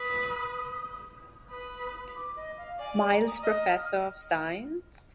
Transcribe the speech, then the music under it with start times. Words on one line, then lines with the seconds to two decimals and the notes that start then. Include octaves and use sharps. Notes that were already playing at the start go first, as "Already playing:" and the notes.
Miles Professor of Science.
Already playing: B4 D#6
1.51 B4 D#6
2.15 D6
2.36 D#5
2.58 F5
2.79 D5 G#5
2.94 G#5
3.12 A#5
3.27 D#6
3.43 D#5 F6